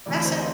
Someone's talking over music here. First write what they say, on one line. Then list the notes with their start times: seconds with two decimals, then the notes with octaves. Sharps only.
That's it.
0.06 D2 C3 E3 D5
0.25 C5